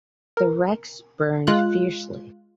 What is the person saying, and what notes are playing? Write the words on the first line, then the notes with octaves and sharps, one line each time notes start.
The wrecks burned fiercely.
A#4
G#3 F4 F#6